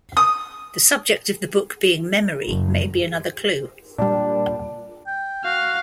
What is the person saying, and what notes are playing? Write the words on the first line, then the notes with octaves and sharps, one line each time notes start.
The subject of the book being memory may be another clue.
D#6
F#1
A#2 G3 D4
G5
F#4 F5